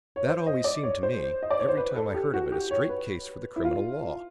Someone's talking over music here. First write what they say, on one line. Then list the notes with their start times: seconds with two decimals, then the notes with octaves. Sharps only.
That always seemed to me, every time I heard of it, a straight case for the criminal law.
0.16 C#5
0.28 C5
0.47 D#5
0.64 D5
0.83 C#5
1.03 C5
1.43 D#5
1.51 D5
1.59 C#5
1.69 C5
1.77 B4
1.96 A4
2.14 G4
2.34 F#4
2.52 G4
2.71 C#5
2.89 B4
3.56 E4
3.65 F4